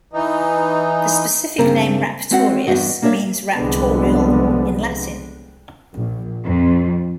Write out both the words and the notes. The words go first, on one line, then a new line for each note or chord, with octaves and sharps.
The specific name "raptorius" means "raptorial" in Latin.
E3 D#4
G2 C#3 A#3 C4 A#4
G#3 C4 C#4 F#4 F5 F#5
E2 G2 F#4 D#5
A#3 D4 A#4 C#5 E5
C2 D3 F3 G3 G#3 B3
A#1
F2